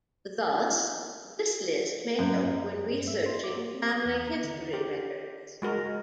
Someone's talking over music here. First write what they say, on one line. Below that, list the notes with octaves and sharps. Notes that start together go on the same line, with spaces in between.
Thus, this list may help when researching family history records.
F#2
G2
E5
C6
D6
A#3
C4
D#6
E2
A#5
D3
G4
G#3 F#4 A#4